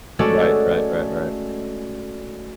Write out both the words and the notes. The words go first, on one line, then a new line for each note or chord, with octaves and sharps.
Right, right, right, right.
G#3 A3 C#4 F#4 A4 D5